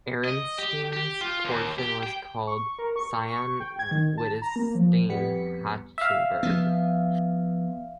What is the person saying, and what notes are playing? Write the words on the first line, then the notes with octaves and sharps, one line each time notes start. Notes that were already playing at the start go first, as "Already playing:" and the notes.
Ernestine's portion was called "Sayn-Wittgenstein-Hachenburg".
D#5
G4
G4
F4
D#2
G4
G5
C#6
A#4
C#6
C#6
G5
G#6
D#3
A5
A#5
A#3
F3
F2 G3 B3 B6 C#7
E5 F5
F3 B3